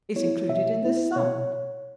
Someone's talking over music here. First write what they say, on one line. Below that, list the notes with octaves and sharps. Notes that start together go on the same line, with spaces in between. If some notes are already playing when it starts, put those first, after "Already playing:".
"Is included in this sum."
B3 E4 C#5
B2 E5
B3 E4
B2 C#5